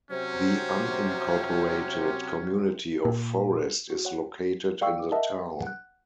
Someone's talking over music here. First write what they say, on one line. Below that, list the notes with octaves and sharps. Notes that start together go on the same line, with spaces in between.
The unincorporated community of Forest is located in the town.
C3 F#3 C#4 C5
A#2
F#4
C#5 F#5
D5 F5 G5 C#6 E6
D6
A#4 D#5 E5 F#5 A5
F#5 F#6